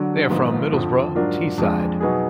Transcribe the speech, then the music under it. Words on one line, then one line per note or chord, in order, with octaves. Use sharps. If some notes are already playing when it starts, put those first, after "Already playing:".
They are from Middlesbrough, Teesside.
Already playing: D3 F#3 D4
G#1 G#2 F3 B3
F2 D3 F3
G#2 F#3 D4 F4 A#4
F2 F3 G#3 D4
B2 F#3 B3 D#4 G#4